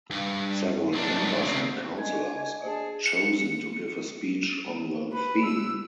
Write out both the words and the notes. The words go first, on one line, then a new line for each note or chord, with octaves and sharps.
Several campers and counselors are chosen to give a speech on the theme.
G2
B1 D4
C#3 C4
D4 D#5 G#5 G#6
G#4 A5
C#7
B4
E6